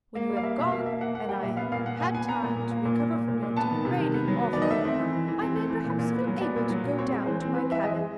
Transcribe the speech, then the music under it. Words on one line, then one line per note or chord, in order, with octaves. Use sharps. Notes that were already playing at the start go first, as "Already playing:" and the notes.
When you have gone, and I have had time to recover from your degrading offer, I may perhaps feel able to go down to my cabin.'
A#3
G3
F5
A#3 E5
B2 E5
A#3 F5
A#3 E5
A#3 F#5
A#3 F#5
G3 G5
A#2 E5
B3 F5
A#2 F5
A#2 F#5
A#2 G#5
B3 G#5
B3 A#5
A#2
A#2
A#3
A#2
A#2
A#2
A#2
A#2
B3 A5
D#3
C3
D#3
B3
F#3
B3
D#3 D5
D#5
A3 E5
C4
E3
E3
E3
C4
A3
E3
A#2
A#2
B3
F#3
B3 D5
A#2
F#3
A#2
C4 C#5
G#3
E3 C5
C4
E3 B4
E3 E5
G#3 D#5
G#3